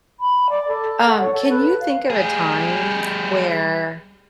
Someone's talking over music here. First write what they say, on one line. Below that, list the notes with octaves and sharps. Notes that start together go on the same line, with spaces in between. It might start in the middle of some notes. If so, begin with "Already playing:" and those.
Um, can you think of a time where
B5
D5
A4
F#5
C#5
A4
B4
F5
G3 G#4